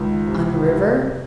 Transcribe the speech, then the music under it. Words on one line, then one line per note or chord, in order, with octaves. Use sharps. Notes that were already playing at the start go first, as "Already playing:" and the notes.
"On the river?"
Already playing: C#2 D#3
C3
G3